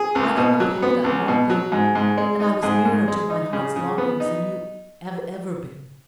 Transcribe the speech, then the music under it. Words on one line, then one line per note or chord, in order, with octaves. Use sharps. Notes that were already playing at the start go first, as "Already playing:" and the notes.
I could not have that one thing, and I was nearer to my heart's longings than you have ever been.
Already playing: G#4
C#2
B2
F#3
B3
C#2
B2
F#3
G#2
G#2
G#3
D#4
G#2 G#4
G#2
G#3
D#4
C#3
C#3
B3
D#4